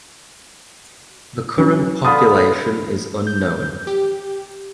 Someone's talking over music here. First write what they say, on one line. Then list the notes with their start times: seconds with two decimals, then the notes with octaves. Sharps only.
The current population is unknown.
1.58 F#3 C#4
2.04 D3 B3 F4 B5 D#6
3.27 G6
3.87 G4